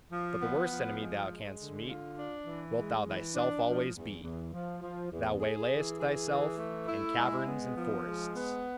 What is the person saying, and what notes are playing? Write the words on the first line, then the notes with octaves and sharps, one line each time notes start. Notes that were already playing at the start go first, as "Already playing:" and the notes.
But the worst enemy thou canst meet, wilt thou thyself always be; thou waylayest thyself in caverns and forests.
F3
B3
F3
G#3
G#3
D3
F4
D4
E3
G#3
E3
D4
F3
E2
E2
F3
F3
E2
G#4
E3
G#4
E3
A3
E4
G#3
B3
F3
G#3
B3